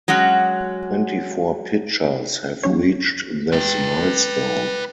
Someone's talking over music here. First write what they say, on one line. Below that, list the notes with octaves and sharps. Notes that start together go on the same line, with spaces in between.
Twenty-four pitchers have reached this milestone.
F#3 G#3 C#4 F#4
F#3 C#4 C#5
B4 G5